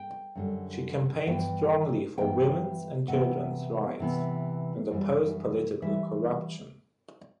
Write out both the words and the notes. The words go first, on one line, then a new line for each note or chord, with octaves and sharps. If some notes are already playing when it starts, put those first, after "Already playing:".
She campaigned strongly for women's and children's rights, and opposed political corruption.
Already playing: G5
F#2 D3 G3
G2 E3 B3 G5
G2 E3 B3 G5
C3 E3 B3 F#5
C3 E3 B3
F#2 E3 G3
E3 G3 E5